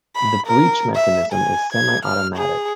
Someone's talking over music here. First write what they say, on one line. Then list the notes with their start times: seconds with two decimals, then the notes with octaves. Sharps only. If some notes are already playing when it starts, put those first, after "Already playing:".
The breech mechanism is semi-automatic.
0.16 B5
0.46 A#4
0.95 E5
1.33 G#5
1.73 G#6
2.05 F6
2.36 G#4